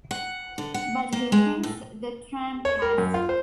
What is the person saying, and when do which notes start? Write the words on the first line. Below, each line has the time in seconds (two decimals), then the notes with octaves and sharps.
But he thinks the tramp has.
0.11 F#5
0.58 D3
0.74 F#5
1.13 A#3
1.32 G#3
1.63 A2
2.65 C#5
2.82 A#4
2.98 F#2
3.14 F4
3.29 C5